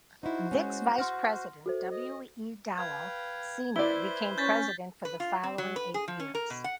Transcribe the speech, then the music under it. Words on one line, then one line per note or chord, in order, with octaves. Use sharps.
Vick's vice president, W. E. Dowell, Senior became president for the following eight years.
D#4 E4 F#4 C5
G#3 C#4
F#5 C6 F6 A#6
F#4 A4 C5
D#5
B4 F5 G5 G#6
E4 B4 C5 D5 G7
C#4 G6 A6 B6
B4
F4
C4
F#3
B4
G#4
F3
C#4
A#4
B2
F#5